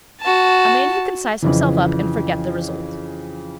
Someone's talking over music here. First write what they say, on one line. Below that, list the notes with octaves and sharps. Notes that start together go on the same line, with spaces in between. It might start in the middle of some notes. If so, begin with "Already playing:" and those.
A man who can size himself up and forget the result.
F#4 A5
F2 C#3 E3